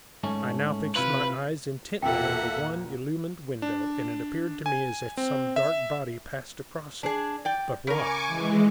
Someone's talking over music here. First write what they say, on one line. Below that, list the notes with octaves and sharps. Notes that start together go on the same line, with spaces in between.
I now fixed my eyes intently on the one illumined window, and it appeared to me as if some dark body passed across it: but what?
G#2 A3 C#4
C3 E4 F4 B4
E2 A#2 A#3 A4 E5 F#5 G5
D4
G#5
C4
E5
D4 G#4
D5 G5
C#3 A#4 G#5 C#6 D6
E3 G#3